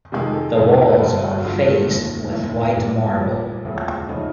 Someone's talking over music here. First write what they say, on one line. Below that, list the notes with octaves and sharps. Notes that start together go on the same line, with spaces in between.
The walls are faced with white marble.
F2 C3 D#3 G#3 G4
G#4
A4
F2 C3 D#3 G#3 G#4
A4
A#4
B4
G1 G2 D3 A4
F#4
G1 G2 D3 F4
F1 D#2 D#3
F1 D#2 D#3 E4
A#1 A#2 G3 A#3
A#1 A#2 G3 A#3
E1 D2 C#3 F3 A3
C#3 F3 A3 D#4